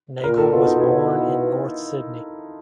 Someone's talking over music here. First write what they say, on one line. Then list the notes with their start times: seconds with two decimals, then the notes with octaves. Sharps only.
Nagle was born in North Sydney.
0.23 A#2 A#4
0.38 A4
0.52 B2 F4
0.66 D#4
0.80 B2 E4